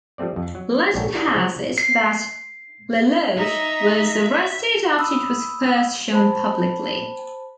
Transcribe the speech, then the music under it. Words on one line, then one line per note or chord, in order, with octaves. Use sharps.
Legend has it that Lelouch was arrested after it was first shown publicly.
F3 G3 A3 C4 D5
F2
F#3
A#1 G#2 D4 F#4 C#5 G5
D4 E4 F#4 G4 A#4
C#3 F3 G#4 C5
C7
D#4 E5 A#5
B5 D#6 E6
C5 A5 B5